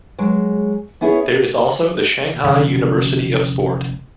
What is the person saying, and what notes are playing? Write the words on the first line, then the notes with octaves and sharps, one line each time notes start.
There is also the Shanghai University of Sport.
F#3 G#3
B3 C#4 E4 G#4 A4 C#5
F1 E2 D3 C#4